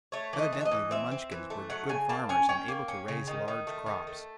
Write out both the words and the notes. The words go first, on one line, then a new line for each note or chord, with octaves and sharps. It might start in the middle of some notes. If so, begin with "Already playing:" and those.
Evidently the Munchkins were good farmers and able to raise large crops.
A3 C#5
E3
D#5
E3
E5
D#5
E3
C4 E5
C4
E3
A3
F#3 F#5
C#3 G#5
A#3 A5
C#4 G#5
C#4 G5
A#3
C#4
C#3
D#3
D#3
A3
D#3
A3